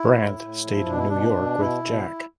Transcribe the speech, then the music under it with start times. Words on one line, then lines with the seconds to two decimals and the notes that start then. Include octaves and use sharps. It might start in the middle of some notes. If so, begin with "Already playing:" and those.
Brandt stayed in New York with Jack.
Already playing: E4
0.16 A2
0.40 A2
0.64 F3
0.87 B2 D4
0.97 E4
1.08 B2 D4
1.35 B2
1.59 B2 E4
1.83 B2